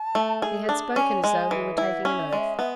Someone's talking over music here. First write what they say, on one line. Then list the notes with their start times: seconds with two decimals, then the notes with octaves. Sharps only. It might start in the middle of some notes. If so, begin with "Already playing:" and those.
He had spoken as though he were taking an oath.
Already playing: A5
0.15 A3
0.42 G#4
0.69 D4
0.96 C#4 G#5
1.24 G#3
1.51 E3
1.78 E4 F#5 G#5
2.05 C#4
2.18 E5
2.28 D5
2.33 G#3
2.38 E5
2.59 B3 E5